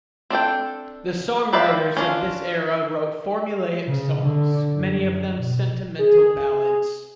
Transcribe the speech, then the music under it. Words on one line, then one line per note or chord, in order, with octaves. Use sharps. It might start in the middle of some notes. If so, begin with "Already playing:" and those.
The songwriters of this era wrote formulaic songs, many of them sentimental ballads.
C4 D4 A4 G5
G4 B4 C5 D5 E5
C#4 D4 F4
C#3
D3
F#2
B2
G#4